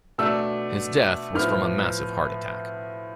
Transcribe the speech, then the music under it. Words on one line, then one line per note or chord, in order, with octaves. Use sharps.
His death was from a massive heart attack.
B2 A3 D4 E6
A2 F3 B3 F6